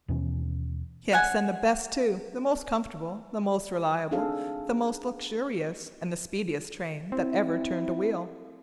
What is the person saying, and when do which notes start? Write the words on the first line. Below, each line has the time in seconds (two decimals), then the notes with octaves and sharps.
Yes, and the best too,--the most comfortable, the most reliable, the most luxurious and the speediest train that ever turned a wheel.
0.08 D#2 B2 E3 C#4
1.12 C#4 F#5 G#5
4.11 C4 D4 D#4 G#4 A4 F5
7.12 C4 E4